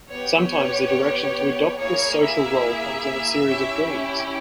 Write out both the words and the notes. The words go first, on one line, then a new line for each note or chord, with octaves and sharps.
Sometimes the direction to adopt this social role comes in a series of dreams.
B3 G4 C#5
A#3 E4 G#4 C#5
E5
C#4 E4 G4